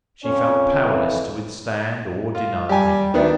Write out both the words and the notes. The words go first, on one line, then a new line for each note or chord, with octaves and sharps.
She felt powerless to withstand or deny him.
F2 C#4 C#5
F2 E3
F4
G3 G4 G#5
D2 D#3 B3 D4